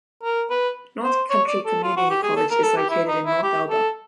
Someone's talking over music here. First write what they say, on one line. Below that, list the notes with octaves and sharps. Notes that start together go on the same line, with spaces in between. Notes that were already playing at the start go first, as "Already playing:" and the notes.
North Country Community College is located in North Elba.
A#4
B4
C5
C#5
D5
A4
F4
F#4
G4
G#4
A4
A#4
A4
G4
E4
D#4
E4
G4
A4